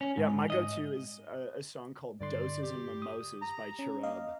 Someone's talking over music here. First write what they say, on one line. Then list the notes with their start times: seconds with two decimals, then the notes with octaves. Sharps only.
Yeah, my go-to is a a song called Doses and Mimosas by Cherub.
0.01 C#4
0.17 G#2
0.50 D#5
2.21 G2 D3 D5 C6
2.63 G4
3.02 D#6
3.42 A#5
3.79 C#4
4.03 A#3 D#5 F5